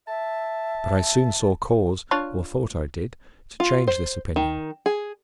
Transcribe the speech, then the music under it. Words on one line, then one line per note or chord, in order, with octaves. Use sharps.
But I soon saw cause--or thought I did--to change this opinion.
E5 A5
D4 F4 C#5
F4
C5
D#3
G#4